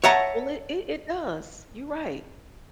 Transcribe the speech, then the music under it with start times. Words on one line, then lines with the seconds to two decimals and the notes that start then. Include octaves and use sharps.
Well, it it does, you're right.
0.04 C#5 E5 F#5 A5 A#5